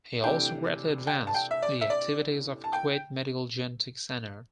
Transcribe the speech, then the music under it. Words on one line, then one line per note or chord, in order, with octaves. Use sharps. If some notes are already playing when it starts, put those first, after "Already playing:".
He also greatly advanced the activities of Kuwait Medical Genetic center.
C3 E3 A3 D4 G5
G5
A5
G5
E5
D5
E5
D5
A5
G5